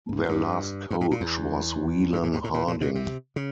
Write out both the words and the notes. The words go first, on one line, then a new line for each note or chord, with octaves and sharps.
Their last coach was Weylan Harding.
G#2
G2
G2
G#2
A#2
E2
G2
A2
G#2
A2
A#2
A#2
B2
C3
C#3